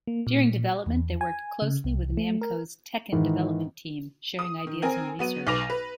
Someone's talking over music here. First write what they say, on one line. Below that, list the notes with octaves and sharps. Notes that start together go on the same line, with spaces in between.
During development they worked closely with Namco's "Tekken" development team, sharing ideas and research.
A#3
A#2
E2
G#5
C#3
C2
A3
A#4
G#2 D#3 E3
D#6
D#3
C4 A#4 G#5
F#3 B3 D#7
B1 B4 D6 A#6 F7
B4